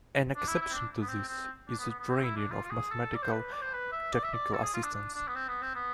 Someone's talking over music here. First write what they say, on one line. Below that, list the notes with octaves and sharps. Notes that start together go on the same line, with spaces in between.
An exception to this is the training of mathematical-technical assistants.
D4
E4
E4
C4
D4
B3
C4
C4
D4
B3
B3
B3
C4
E4
D4
F4
F4
G#4
A4
D5
C5
B4
D5
C5
B4
E5
D5
E5
D5
A4
G#4
F4
D4
D4
D4
B3
C4
B3
C4
B3